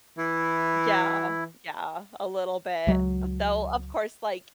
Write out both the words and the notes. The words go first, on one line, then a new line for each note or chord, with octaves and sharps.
Yeah, yeah, a little bit, though, of course, like,
E3 E4
C#2 F#3